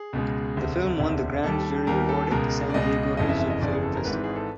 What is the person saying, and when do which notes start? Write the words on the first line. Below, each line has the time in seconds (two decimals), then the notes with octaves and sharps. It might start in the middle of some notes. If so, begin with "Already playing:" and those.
The film won the Grand Jury Award at the San Diego Asian Film Festival.
Already playing: G#4
0.13 C#2 B2 G#3
0.56 E1 D2 C3
1.00 E1 D2 C3
1.43 D#2 D#3 G3 A4
1.87 D#2 D#3 G3 A#4
2.09 A4
2.31 C#2 B2 G#3 A#4
2.70 D5
2.74 C#2 B2 G#3 D#5
3.17 G1 F2 C#3 E3 D#5
3.29 E5
3.40 E5
3.50 D#5
3.61 G1 F2 C#3 E3 D5
3.72 G#4
3.83 A4
3.95 A#4
4.04 G#1 G#2 E3 B4
4.24 G#4
4.36 A4